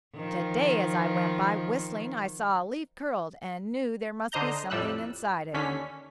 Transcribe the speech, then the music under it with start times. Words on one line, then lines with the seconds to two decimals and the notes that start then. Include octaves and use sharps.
To-day as I went by, whistling, I saw a leaf curled and knew there must be something inside it.
0.15 D#3 F3
4.32 D3 C5 D#5 A#5 G6
4.70 F2 A2 G3 E6 F#6
5.53 D#2 D3 C#4 B6